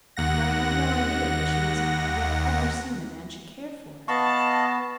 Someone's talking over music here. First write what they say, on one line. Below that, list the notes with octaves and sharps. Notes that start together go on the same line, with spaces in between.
But I have no idea that she has yet ever seen a man she cared for.
D#2 F#5 A#6
B3 D#5 F5 A5 B5 C#6